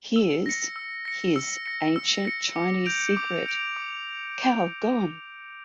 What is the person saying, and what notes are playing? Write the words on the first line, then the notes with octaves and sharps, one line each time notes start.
"Here's" his "Ancient Chinese Secret" - Calgon!
E6
A#6 C#7
E6
A#6 C#7
E6
A#6 C#7
E6
A#6 C#7
D6
G6 D7 F7
D6
G6 D7 F7
D6